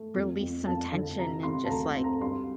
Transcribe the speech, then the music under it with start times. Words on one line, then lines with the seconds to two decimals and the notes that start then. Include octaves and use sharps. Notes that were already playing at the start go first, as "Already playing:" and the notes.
release some tension and just, like,
Already playing: A3
0.15 F2
0.41 F2
0.67 F2 A5
0.92 D3
1.18 C3 A#5
1.43 C3 C6
1.65 A5
1.69 D2 A#5
1.95 C4
2.04 A#5
2.21 G2 C6